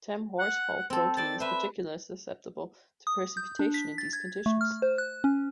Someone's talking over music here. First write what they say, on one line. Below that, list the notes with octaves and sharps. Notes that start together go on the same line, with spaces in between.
Tamm-Horsfall protein is particularly susceptible to precipitation in these conditions.
F#5
C4 A4
A4 C5 D5 A6
B4 C5 E5
D#6
G6
D4
B6
A6
G#6
A3
F6
C5
F#6
C#4